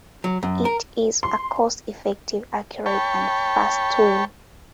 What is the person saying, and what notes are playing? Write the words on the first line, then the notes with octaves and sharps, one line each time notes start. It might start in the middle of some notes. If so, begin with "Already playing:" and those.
It is a cost effective, accurate and fast tool.
F#3
F#2
A#4
C6
C#5 G5 A5 B5 C#6